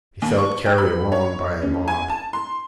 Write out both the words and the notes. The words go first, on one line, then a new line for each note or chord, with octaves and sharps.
He felt carried along by a mob.
D#2
C#6
G5
B5
C#5
C#4
G#5
A5
C6